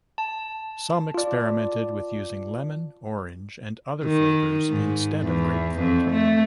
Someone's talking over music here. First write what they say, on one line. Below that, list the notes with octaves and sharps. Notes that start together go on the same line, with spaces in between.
Some experimented with using lemon, orange or other flavors instead of grapefruit.
A5
F4 D5
D#3
G#2
E2
F2
A3